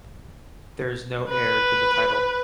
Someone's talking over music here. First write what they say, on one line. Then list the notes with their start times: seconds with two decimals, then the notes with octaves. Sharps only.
There is no heir to the title.
1.29 B4